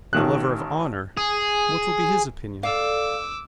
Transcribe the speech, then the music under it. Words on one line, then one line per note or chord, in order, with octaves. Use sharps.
And the lover of honour--what will be his opinion?
A1 D#3 F#6
G#4
A4 D5 F5 D6 E6